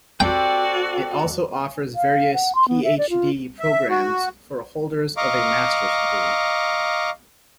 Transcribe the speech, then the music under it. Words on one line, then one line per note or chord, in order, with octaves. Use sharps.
It also offers various Ph.D. programmes for holders of a master's degree.
C4 F#4 G4 A4 D5 G5
F5
F#5
C6
B3
E5
D5
F4
E5
F#4
D#5 F5 A#5 C#6 D6